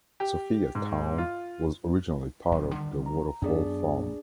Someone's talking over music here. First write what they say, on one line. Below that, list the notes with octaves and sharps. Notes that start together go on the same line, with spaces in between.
Sophiatown was originally part of the Waterfall farm.
G4
G#2
F4
D#1 B1 E2
D3 D#3 G3
A#5
F#2 B3 D4 G#4 D5